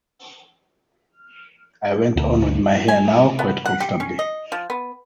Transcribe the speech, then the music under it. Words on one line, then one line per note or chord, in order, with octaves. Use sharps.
I went on with my hair now, quite comfortably.
D2
G#5
B3
F#5
G4
C#4
D#5
F3
B3